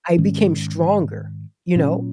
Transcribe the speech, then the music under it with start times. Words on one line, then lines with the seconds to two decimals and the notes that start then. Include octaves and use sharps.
I became stronger, you know.
0.18 G#2 D#3 G#3 C#4
1.76 A#2 F#3 C#4